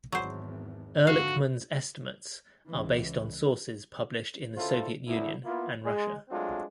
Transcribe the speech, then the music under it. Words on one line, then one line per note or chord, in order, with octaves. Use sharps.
Erlikman's estimates are based on sources published in the Soviet Union and Russia.
G#1 E2 F#3 C5
F2 G#2 D3 F#4 F5
C#2 E3
D2 C#3 E4 F4 A4 C5
C2 D3 B3 E4
A#3 B3 E4 F4
G#3
F#3 G#3 A3 C4 D4 F4